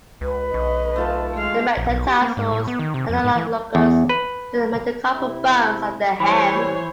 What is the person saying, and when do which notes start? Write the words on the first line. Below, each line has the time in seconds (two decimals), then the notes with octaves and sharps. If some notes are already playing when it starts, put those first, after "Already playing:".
The metatarsals are analogous to the metacarpal bones of the hand.
0.21 C#2 B4
0.54 B1 D#5 C#6
0.96 A3 F4 A5
1.34 G#3 F5
1.77 A#1
1.89 B1
2.08 G4
2.22 A#3
2.37 G#2
2.52 A2
2.68 B3
2.79 D#3
2.94 C3
3.09 F2
3.24 G#2
3.36 E3
3.75 E2
4.09 B4
5.15 C3 E4
6.20 A1 E3 G3 C5 C#5 G#5 B5